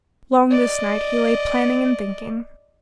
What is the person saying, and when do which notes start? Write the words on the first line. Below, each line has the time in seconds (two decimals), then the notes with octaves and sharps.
Long this night he lay planning and thinking.
0.50 D5 D#5